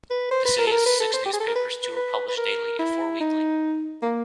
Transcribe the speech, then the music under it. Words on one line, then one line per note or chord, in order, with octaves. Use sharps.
The city has six newspapers; two are published daily and four weekly.
B4
C5
B4
A#4
A4
A#4
B4
A4
C5
G4
G#4
A4
A#4
B4
B4
B4
B4
A#4
E4
D#4
A#3